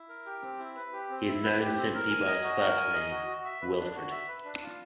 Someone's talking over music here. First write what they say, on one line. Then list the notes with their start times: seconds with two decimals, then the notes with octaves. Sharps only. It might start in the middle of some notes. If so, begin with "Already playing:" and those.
He is known simply by his first name, Wilfred.
Already playing: E4
0.09 A#4
0.26 G4
0.43 C4
0.59 E4
0.76 B4
0.93 G4
1.10 C4
1.27 E4
1.43 B4
1.61 G4
1.77 C4
1.94 A#4
2.11 G#5
2.27 D#5
2.43 F#4
2.60 A#4
2.77 G#5
2.94 D#5
3.11 F#4
3.28 F#4
3.45 E5
3.62 B4
3.78 D4
3.95 F#4
4.11 E5
4.28 B4
4.45 D4
4.62 F4